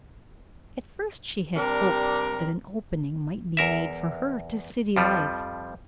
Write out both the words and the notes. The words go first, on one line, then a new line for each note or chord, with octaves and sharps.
At first, she had hoped that an opening might be made for her to city life.
C3 G3 D4 A#4
E2 A#4 E5
F2 F3 G3